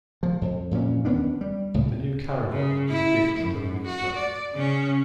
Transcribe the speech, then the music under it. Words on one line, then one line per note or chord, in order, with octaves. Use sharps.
The new carillon is a gift to the minster.
F3
F2
F2 A#2 E3 C#4
D#2 B3 C#4 D4
G3
C#2 A2
C#3
E4
F#2
F#4
D5
C#3 C#4